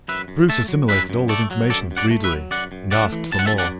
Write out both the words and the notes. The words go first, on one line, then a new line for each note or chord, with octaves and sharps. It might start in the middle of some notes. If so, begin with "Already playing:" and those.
Bruce assimilated all this information greedily--and asked for more.
F#2 B4 E5
F#2
A3 E5 A5
F#3
F#2 B4 E5
F#2
A3 A4 D5
F#3
F#2 A4 D5
F#2
D5 F#5
A3
B4 E5
F#3
F#2 D5 F#5
F#2
A3 D5 F#5
E3
F#2 A5
F#5
E5 A5
F#2
D5 F#5